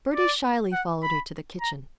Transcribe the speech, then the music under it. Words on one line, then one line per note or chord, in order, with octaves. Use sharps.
Bertie shyly followed her to the kitchen.
D5
F#5
B5
A#5